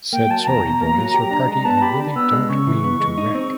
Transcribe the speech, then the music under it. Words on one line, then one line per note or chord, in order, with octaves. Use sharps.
Said sorry boys, your party I really don't mean to wreck.
A#3 G5
F#3 A5
A5
E2 A#5
B2
A#3
F#3
G4
D4
G#3
B3 A5
G4 B5
D4
B3 E6
G#3
C#3 C#6
E3
B3
G#3
D#4
C4